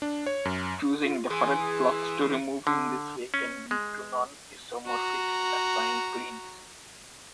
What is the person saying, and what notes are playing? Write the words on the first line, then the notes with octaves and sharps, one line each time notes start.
Choosing different blocks to remove in this way can lead to non-isomorphic affine planes.
D4
C#5
F#2
F4
E3 G#4 C6
D3
C#4
G#3
F#4 A#5